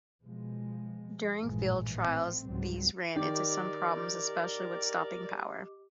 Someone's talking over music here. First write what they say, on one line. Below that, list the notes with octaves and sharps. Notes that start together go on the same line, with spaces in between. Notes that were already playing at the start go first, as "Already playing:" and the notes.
During field trials these ran into some problems, especially with stopping power.
B2 F3 G#3
A1 G2 A#2 E3 F3 G#3
A3 C4
C#2 G#2 D3 F#3 G3 C4
D#3 G4 A#4 D5 D#5 D6